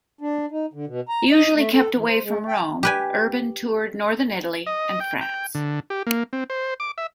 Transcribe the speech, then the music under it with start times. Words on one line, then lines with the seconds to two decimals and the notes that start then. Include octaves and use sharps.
Usually kept away from Rome, Urban toured northern Italy and France.
0.21 D4
0.51 D#4
0.73 D3
0.87 B2
1.08 A#5
1.32 D#5
1.56 A3
1.73 A4
1.94 E3
2.07 C5
2.22 G#3
2.48 G5
2.83 G4 B4 G#5
4.66 D#5
5.00 G5
5.21 G5
5.55 D3
5.90 G4
6.07 A#3
6.33 C4
6.50 C5
6.80 D6
6.98 E5